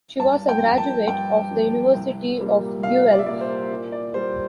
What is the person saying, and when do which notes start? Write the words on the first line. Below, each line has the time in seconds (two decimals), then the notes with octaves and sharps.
She was a graduate of the University of Guelph.
0.19 G2 A5
0.49 G5
0.64 F3 A#3
0.78 A5
1.07 G2 G5
1.51 F3 A#3
1.94 C2
2.40 A#2 G3 A#3
2.83 C2 F5
3.13 D5
3.19 E5
3.26 A#2 G3 A#3 D5
3.41 C5
3.71 A#2
3.92 D5
4.14 G3 A#3 C5